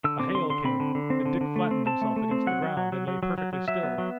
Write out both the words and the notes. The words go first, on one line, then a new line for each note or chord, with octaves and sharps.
A hail came, and Dick flattened himself against the ground and lay perfectly still.
D3 E6
C4 D6
D3 C6
D3 C6
C4 B5
D3
D3
C4
D3
D3
A3
C4
C4 A5
A3
A3
C4
F#3 F#5
F#3
F#3
F#3
F#3
F#3
F#3
F#3
F#3 E5
B3
F#3